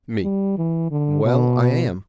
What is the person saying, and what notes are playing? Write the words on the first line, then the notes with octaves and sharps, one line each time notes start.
ME: Well, I am.
G3
E3
D3
B2